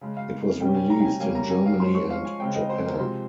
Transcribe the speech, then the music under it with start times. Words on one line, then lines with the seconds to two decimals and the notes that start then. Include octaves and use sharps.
It was released in Germany and Japan.
0.01 C#3 G#3 C#4
0.17 F5
0.61 C3 G3 C#4 G5
0.75 G#5
0.90 A#5
1.00 G5
1.05 G#5
1.20 C#3 G3 A#3 C#4 G#5
1.35 A#5
1.50 G#5
1.66 F5
1.80 F3 G#3 C#4 C6
1.95 C#6
2.10 F5
2.25 G#5
2.40 C#3 G#3 C4 G5
2.55 D#5
2.69 C5
2.78 G#4
2.84 A#4
2.99 C3 F3 G#3 C5